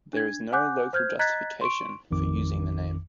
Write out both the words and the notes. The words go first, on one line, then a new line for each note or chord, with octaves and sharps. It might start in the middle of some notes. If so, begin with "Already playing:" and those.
There is also no local justification for using the name.
D4 G#6
F#5 G#5 D6 F#6 G6
C5 F6 G6 G#6
D#5 A#5 F#6 G#6 A6 B6
C6 C#6 D7
A1 F2 D#3 D6